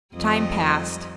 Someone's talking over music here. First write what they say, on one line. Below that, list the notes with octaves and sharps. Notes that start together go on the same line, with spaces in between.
Time passed.
F2 G3 D#5